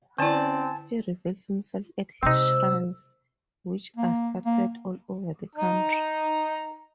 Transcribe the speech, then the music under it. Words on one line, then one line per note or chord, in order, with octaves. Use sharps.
He reveals himself at his shrines which are scattered all over the country.
D3 C4 C#4 E4 D5 G#5 A5
C3 G#3 C4 D#4 C5 E6
A#3
A#3
D#4 A#5